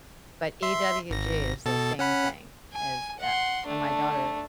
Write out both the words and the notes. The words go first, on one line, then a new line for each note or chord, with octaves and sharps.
But EWG is the same thing as, uh and my daughter
E5 C6
G#1 A#6
B2 A4 A6
C#4 F#5 B5
G#5
F#5 C6
A3 D4